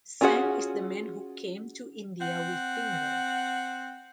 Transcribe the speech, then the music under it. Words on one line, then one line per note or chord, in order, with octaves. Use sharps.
Sen is the man who came to India with Pingle.
C#4 F4 F#4 G#4 F#5
C4 F#5